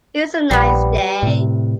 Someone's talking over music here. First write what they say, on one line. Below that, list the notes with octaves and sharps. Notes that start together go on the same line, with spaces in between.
It’s a nice day.
A#1 G3 B3
A2 C3